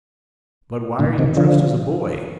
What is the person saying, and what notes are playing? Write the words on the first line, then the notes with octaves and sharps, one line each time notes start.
"But why are you dressed as a boy?"
A#2 D3
C3 D#3
D3 F3